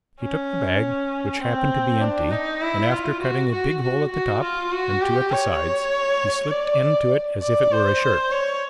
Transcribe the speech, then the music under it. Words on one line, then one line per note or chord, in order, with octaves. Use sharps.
He took the bag, which happened to be empty, and after cutting a big hole at the top and two at the sides, he slipped into it as if it were a shirt.
C#4
C4
D4
D#4
E4
F4
F#4
F#4
F#4
F#4
F4
F#4
G4
C#5
D5
D5
C5
C#5